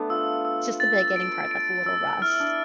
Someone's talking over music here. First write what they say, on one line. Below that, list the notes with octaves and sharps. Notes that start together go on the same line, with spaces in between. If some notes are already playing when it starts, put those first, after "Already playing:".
Just the beginning part that's a little rough.
Already playing: A3 B3 D4
F4 E6
E6
A6
D7
D7
E6
E4 F6
D4